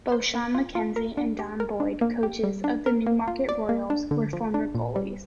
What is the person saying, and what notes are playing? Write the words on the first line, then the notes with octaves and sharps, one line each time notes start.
Both Shawn Mackenzie and Don Boyd, coaches of the Newmarket Royals were former goalies.
C5
A#3
F4
F4
A#4
D4
G4
A#4
D4
A#3
G4
G3
D4
A#4
A#3
F4
D5
A#3
D4
D3
F3
D4
A#2
G3